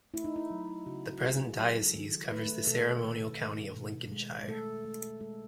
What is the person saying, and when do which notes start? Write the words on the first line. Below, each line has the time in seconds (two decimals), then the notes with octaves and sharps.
The present diocese covers the ceremonial county of Lincolnshire.
0.14 A3 E4
0.24 D#4
0.36 E4
0.51 F#3
0.86 C#3 F#4
1.13 F#4
1.22 G#3 G#4
1.58 F#3 A4
1.96 D#3
2.31 A3 B4
2.67 B2 A4
3.04 D#3
3.40 D#3
3.76 B2
4.12 G#3
4.48 A3 A4
4.85 A3
5.21 G#3 A4